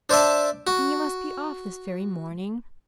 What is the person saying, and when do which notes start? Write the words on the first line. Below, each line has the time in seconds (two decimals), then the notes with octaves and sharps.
"And you must be off this very morning?"
0.10 D4 C5 D5 E5 A5
0.67 F#4